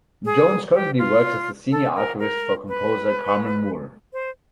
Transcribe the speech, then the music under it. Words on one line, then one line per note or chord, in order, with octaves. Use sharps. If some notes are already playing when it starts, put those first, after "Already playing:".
Jones currently works as the senior archivist for composer Carman Moore.
G#4
G4
F4
A4
A#4
A#4
B4
C5